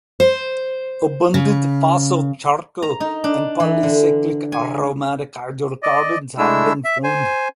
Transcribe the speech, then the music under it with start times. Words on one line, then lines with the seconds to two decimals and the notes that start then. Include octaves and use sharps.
Abundant fossil charcoal and polycyclic aromatic hydrocarbons have been found.
0.20 C5
1.34 C#3
2.82 A#5
3.00 D#4
3.24 D4
3.60 E3
3.83 D3
4.52 G#5
5.83 D5 D#5
6.38 G#3 A3 D4 E4 E6
6.84 E5
7.04 C5 G#5